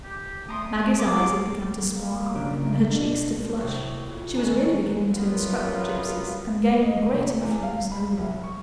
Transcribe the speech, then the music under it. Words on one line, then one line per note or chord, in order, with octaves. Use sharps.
Maggie's eyes had begun to sparkle and her cheeks to flush,--she was really beginning to instruct the gypsies, and gaining great influence over them.
G4
A3 A#5 C6 D#6
G#3 G#4 D6
E4 F4 C5
A#3
C#2 C#3 D4
B2 D4
A2 C3 D#3 F#3
F2
D#3 F#4 G#5 A#5
F#2 F#3 G3 A#3 B3 F4
D#5
C3
E2
F5
B5
C2
C#6